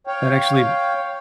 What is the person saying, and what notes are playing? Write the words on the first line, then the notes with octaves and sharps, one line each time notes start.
that actually
C#5 F5 G5